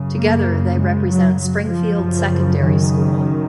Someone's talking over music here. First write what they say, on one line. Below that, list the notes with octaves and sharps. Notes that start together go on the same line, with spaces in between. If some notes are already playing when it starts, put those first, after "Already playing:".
Together, they represent Springfield Secondary School.
Already playing: F#2 C#3
A#3
G#3
F#3
F#3
F3
F#2 C#3
D#3